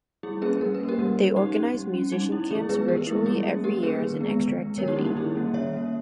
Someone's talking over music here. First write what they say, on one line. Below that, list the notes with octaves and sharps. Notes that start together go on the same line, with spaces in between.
They organize musician camps virtually every year as an extra activity.
G3 E4 G#4
A#3 C#4 G#4 B4
G3 A#4
B4
A#3 C#4
G4 A#4
G3
C#4
G3 D#4 G4
C#4
G3
C#4
G3 D#4
C#4 E4
E3 E4 G#4
G#3 B3 G#4 B4
E3 G4 A#4
G#3 B3 E4
G3 E4 G#4
A#3 C#4
G3 G4 A#4
A#3 C#4 G#4 B4
D#3
G#3 B3
D#3
G#3 B3
D#3 A#4 C#5
D#4 G4
G3 A#3 C#4 E4
D#4 G4
D#3 E4 G#4
G3 A#3 C#4
D#3 C#5 E5
A#3 C#4